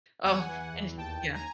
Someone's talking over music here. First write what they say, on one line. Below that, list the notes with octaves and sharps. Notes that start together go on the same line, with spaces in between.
Oh, eh, yeah.
E2 F#5 G#5
E3
E2
D#2 G5 A5
D#2
G#5 A#5